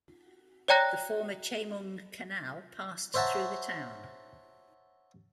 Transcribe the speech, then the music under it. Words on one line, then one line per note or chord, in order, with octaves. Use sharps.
The former Chemung Canal passed through the town.
C#5 D5 G5 A#5 F#6 A#6
C5 C#5 E5 F#5 A5 A#5